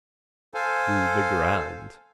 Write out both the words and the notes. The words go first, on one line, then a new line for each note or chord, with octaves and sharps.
Do the grand.
A4 C5 F5 G#5